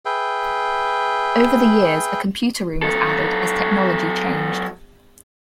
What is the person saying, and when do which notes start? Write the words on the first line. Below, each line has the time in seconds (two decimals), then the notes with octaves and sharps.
Over the years, a computer room was added as technology changed.
0.05 G#4 B4 E5 G5
2.83 F#3 A4